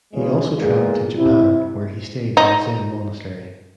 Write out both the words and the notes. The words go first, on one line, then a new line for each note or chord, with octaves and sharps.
He also traveled to Japan, where he stayed in a Zen monastery.
E2 C#3 G#3 C#4
E2 A#2 D3 G#3
C3 E4
D#4